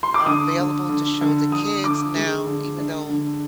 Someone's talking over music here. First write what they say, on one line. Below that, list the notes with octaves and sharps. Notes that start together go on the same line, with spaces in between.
are available to show the kids now, even though,
C6
D6
D3 D#6
D3
D3
D3
D3 D#6
D3 D6
G#3
D3
D4
D3